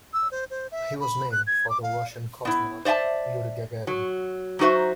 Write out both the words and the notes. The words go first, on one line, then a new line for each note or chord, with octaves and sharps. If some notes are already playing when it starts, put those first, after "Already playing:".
He was named for the Russian cosmonaut Yuri Gagarin.
E6
C5
C5
E5
B5
F#6
G#6
D6
F5
B3 E4
C5 D5 E5 G#5 A5
F#3
F#3 D#4 F#4 C5 E5